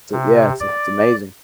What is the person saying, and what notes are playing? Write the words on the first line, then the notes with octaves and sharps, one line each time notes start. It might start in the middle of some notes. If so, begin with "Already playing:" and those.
so, yeah, it's a it's amazing.
C3
D5